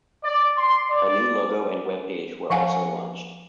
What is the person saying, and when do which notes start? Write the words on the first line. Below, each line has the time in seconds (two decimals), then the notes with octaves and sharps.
A new logo and webpage were also launched.
0.23 D5
0.56 C6
0.90 D5
2.50 F3 F5 F#5 G#5